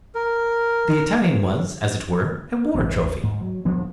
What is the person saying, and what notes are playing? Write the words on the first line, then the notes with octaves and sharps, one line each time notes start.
The Italian was, as it were, a war trophy.
A#4
A1 E2 G2
G#2
F#3
D#1 F3 B3 D4